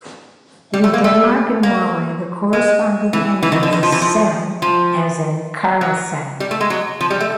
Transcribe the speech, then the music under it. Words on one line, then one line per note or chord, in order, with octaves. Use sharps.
In Denmark and Norway, the corresponding ending is "-sen", as in "Karlsen".
G3
A3
A#3
A3
A#3
G#3
E3
E3
D#3
D3
D#3
F3
E3
F3
F3
F#3
G3
A3
G#3
F#3
F3
G3
A3